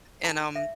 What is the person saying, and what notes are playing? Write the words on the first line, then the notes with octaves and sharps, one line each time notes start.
and, um,
D4 A4 A5
E5